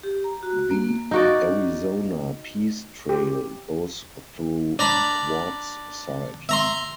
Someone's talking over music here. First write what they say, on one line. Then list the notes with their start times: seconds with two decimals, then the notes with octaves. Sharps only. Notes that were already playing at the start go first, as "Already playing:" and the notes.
The Arizona Peace Trail goes through Quartzsite.
0.03 G4
0.24 A#5
0.43 F#4
0.71 A#3
1.11 D#4 F#4 D5
3.09 G4
4.79 D4 A#5 B5
6.49 E5 A#5 C6